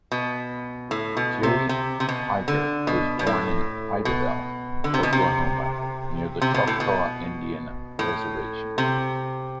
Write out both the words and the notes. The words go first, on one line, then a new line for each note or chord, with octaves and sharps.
Jerry Iger was born in Idabel, Oklahoma, near the Choctaw Indian reservation.
B2
A2
B2
C3
C3
C3
B2
D3
B2
B2
A2
B2
D3
C3
B2
C3
C3
B2
A2
B2
A2
C3